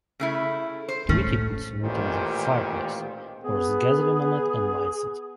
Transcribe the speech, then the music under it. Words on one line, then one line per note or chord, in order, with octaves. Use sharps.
Tweety puts wood in the fireplace, pours gasoline on it and lights it.
C#3 A3 E4
C5
A2 A3 C#4
A1 A#2 D#3 G4 C5
B3 G#4